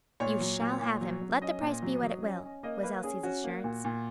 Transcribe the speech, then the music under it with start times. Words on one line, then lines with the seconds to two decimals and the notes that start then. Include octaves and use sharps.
"You shall have him, let the price be what it will," was Elsie's assurance.
0.20 A#2 C#5
0.40 F#3
0.61 A#2
0.81 A#2
1.01 F#3
1.21 F#3
1.41 C#4 D#5
1.61 A#2
1.82 F#3
2.03 F#3
2.23 C#4
2.43 C#4
2.63 A#3 D#5
2.83 A#3 B4
3.03 C#4 G#4
3.23 C#4 F#4
3.44 A#3
3.64 A#2
3.85 A#2